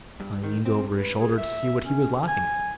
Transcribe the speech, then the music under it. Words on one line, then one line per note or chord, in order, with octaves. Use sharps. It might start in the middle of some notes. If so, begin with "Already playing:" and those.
I leaned over his shoulder to see what he was laughing at.
G2
D#3
C4
B4
G#4
E5
C#4
G#5